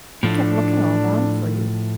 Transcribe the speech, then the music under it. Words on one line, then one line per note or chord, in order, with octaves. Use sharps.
"We kept looking all round for you."
A2 F3 A3 D4